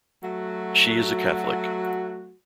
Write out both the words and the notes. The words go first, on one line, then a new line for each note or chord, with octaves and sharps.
She is a Catholic.
F#3 A3 F#4